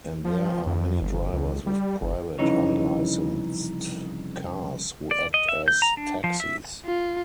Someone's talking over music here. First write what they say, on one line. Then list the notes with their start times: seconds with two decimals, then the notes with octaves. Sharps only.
And there are many drivers with private unlicensed cars who act as taxis.
0.25 F3
0.66 F2
1.02 G1
1.33 C#2
1.67 G3
2.02 G1
2.39 C2 F2 C#3 E3 D#4 C#5
5.11 D5
5.34 D#5
5.49 E5
5.68 G6
5.82 A#5
5.97 D4
6.24 F3
6.40 E5
6.86 F4